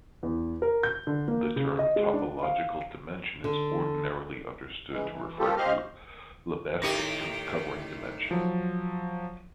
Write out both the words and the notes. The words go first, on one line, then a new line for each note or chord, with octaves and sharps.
The term "topological dimension" is ordinarily understood to refer to Lebesgue covering dimension.
E2
A#4
G6
D3
A#3
C#3
D#5
G#3
D4
F5
D3
C#3 E3 G#3
E3
F3 G3 A#3 F4 G4 A4
G4 C5 D#5 F5 F6
A2 D#3 G4 A#6 C#7 D#7
F3 F#3